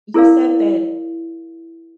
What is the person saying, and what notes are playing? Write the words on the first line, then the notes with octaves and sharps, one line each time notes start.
You said that
E4 G#4 A#4 D5 F5